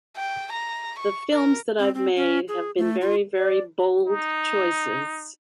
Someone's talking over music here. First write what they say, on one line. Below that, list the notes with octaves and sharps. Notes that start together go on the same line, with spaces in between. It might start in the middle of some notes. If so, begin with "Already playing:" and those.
The films that I've made have been very, very bold choices.
G5
A#5
C#6
A#4
C4
C4
C#4
G#4
A3
F4
D5
D#4